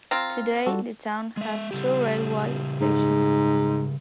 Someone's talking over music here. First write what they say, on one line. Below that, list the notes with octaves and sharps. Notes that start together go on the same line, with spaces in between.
Today the town has two railway stations.
C4 F4 A#5
G3 F#4 A4
G#3 E5
C#3 G3 G4
G#2